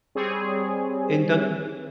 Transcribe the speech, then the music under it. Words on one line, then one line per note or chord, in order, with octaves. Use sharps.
in Dunkin'?
G3 C4 G#4 C#5